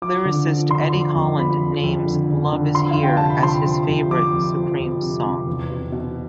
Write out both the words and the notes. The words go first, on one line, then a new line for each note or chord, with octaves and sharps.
Lyricist Eddie Holland names "Love is Here" as his favorite Supremes song.
F3 D6
D3
F3
D3 C6
F2
F2
F3 B5
F2
F2
D3
D3
D3
F3 C6
F5
F2
G5
C3 A5
B5
F3 C6
F3
F2
F2 D6
F2
F3
F2
C3
C3
E2
B2
B2